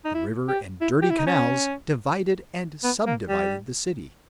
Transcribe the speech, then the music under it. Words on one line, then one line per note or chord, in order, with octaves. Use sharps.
The river and dirty canals divided and subdivided the city.
D#4
E4
G4
E4
G4
E4
D#4
C#4
B3
A#3
G3